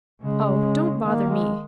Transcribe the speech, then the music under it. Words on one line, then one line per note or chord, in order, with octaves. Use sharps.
'Oh, don't bother me.
C#3 G#3
D#3 A#3
G#3